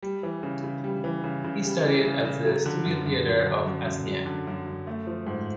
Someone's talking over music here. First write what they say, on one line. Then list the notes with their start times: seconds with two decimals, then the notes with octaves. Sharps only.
He studied at the studio-theatre of Asnières.
0.03 G3
0.23 E3
0.43 C#3
0.64 C#3
0.84 G3
1.04 E3
1.24 C#3
1.44 C#3
1.64 G3
1.84 E3
2.05 C#3
2.25 C#3
2.45 F#3
2.66 D3
2.85 F#2
3.06 F#2
3.26 F#3
3.46 D3
3.66 F#2
3.86 F#2
4.07 F#3
4.26 D3
4.47 F#2
4.67 F#2
4.87 A3
5.07 F3
5.27 G#2